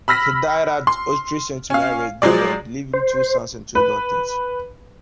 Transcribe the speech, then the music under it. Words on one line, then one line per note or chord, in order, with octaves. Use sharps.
He died at Ottery Saint Mary, Devon, leaving two sons and two daughters.
B5 E6 F6 A#6 B6
C6
C#4 F5
F3 F#3 G#3 D5
C5
B4